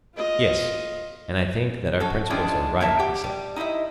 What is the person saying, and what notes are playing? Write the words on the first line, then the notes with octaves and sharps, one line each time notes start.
Yes; and I think that our principles are right, he said.
F4 D#5
C#4 F#4 A4
D#3 F3 G#3 C#4 D4 E4
A#3 A#4 C#5 E5 A5
G4 F#5
G3
D#4 E4 C5 D#5 E5